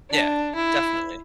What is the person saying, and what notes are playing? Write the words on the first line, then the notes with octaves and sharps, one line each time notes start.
Yeah. Definitely.
D4
E4